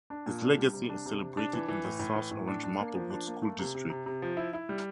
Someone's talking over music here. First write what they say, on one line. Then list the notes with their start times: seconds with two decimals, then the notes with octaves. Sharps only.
His legacy is celebrated in the South Orange-Maplewood School District.
0.10 D4
0.26 A#2
0.42 D4
0.58 G3
0.73 C3
0.89 D4
1.06 C3
1.21 C3
1.37 D4
1.53 E3
1.68 E3
1.84 A2
1.99 A2
2.15 E3
2.31 A2
2.48 D4
2.63 D4
2.80 A#3
2.95 F3
3.10 D4
3.27 A#3
3.42 A3
3.59 C3
3.75 C3
3.90 C3
4.06 C3
4.22 F3
4.37 E4
4.53 E4
4.69 G3